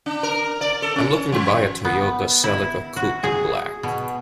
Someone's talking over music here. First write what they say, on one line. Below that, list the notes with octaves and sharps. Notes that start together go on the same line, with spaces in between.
I'm looking to buy a Toyota Celica Coupe in black.
D4
A#4
D5
A4
C#4
F3
B3
E4
F#4
G#4
B2